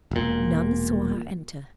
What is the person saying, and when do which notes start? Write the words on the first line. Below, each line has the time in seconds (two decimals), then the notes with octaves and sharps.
None saw her enter.
0.11 E1 A#2